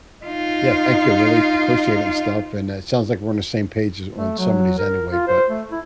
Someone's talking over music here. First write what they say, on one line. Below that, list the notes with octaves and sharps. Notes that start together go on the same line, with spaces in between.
Yeah, thank you, really 'preciate and stuff, and, uh, it sounds like we're on the same page as on some of these anyway, but,
D#4 F4
A3
F#3
A#4
F4
C5
A3
E4